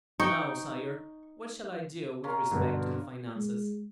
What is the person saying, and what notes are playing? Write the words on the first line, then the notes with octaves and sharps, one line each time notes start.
"Now, sire, what shall I do with respect to the finances?"
D#4 G5 C#6
C#4 F4 A#4
G2 B2 D3
G#3